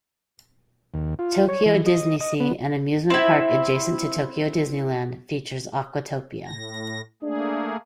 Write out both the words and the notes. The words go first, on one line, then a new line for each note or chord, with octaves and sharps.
Tokyo DisneySea, an amusement park adjacent to Tokyo Disneyland, features Aquatopia.
D#2
F4
C#5
E3
D#5
D#5
B3
C4 E4
A2 A#6
A3 A#3 D4 G#4